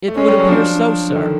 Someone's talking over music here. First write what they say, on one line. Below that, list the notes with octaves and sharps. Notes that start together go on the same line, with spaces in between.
"It would appear so, sir."
A3
G#3 C#4
G3
F#3
F3 D4
D3
D#3